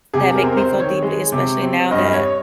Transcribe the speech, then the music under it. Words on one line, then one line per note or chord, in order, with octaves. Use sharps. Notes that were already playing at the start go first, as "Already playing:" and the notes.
that make me feel deeply, especially now that,
C3 G#4
A#4
C4
A#4
C5
D#3
C#5
G#3
C3
C4
G2 D#5
C#5